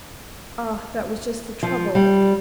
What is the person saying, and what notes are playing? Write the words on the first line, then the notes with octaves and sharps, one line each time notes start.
Ah, that was just the trouble.
F3
G3